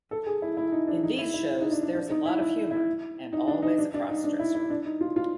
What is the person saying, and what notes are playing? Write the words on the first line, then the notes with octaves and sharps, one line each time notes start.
In these shows there's a lot of humor, and always a cross-dresser.
A4
G#4
E4
E4
D#4
D4
D#4
E4
E4
D#4
D4
D4
D4
D#4
E4
E4
E4
D#4
D4
D#4
D4
D4
D#4
D4
E4
E4
D4
D#4
F4
F4